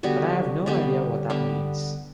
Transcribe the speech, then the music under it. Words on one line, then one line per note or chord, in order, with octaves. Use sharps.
But I have no idea what that means.
D3 G3 B3 F#4
D3 G3 B3
D3 G3 B3